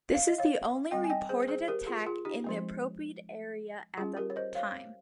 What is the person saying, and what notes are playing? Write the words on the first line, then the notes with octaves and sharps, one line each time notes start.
This is the only reported attack in the appropriate area at that time.
F5
D#5
C#5 F5
G3 C4 D#5 G5
G#5
D#5 G5
G#4 C5
G#4 C5
G4 A#4
F4 G#4
F4 G#4
D#4 G4
F3 G#3 C4
G3 C#4 F4 G#4
G4 A#4
C#5
C5 D#5
C#5 F5